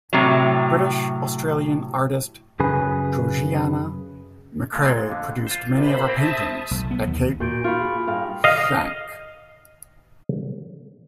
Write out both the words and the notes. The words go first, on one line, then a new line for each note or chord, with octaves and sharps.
British-Australian artist Georgiana McCrae produced many of her paintings at Cape Schanck.
A2 C3 F#3
F#2 C#3 G#4 B4
A#2 G#3 A3
F2 D3
F4 C5
A#1 C3 C5 B5
A#3 C4 G4 E5 A5 D#6
B1
B3
D#2
A#2 F#4 G6 D7
F4 B5 C#6
G#4
G2 F5
D#5 F5